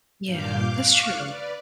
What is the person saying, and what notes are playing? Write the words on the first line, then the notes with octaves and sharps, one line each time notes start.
Yeah. That's true.
G2 A#2 F5 D6 G6
F5 C#6 D6 F6 F#6
B4 D5